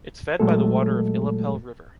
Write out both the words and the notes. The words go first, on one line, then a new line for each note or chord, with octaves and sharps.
It’s fed by the water of Illapel river.
A#2 F#3 G#3 A3 A4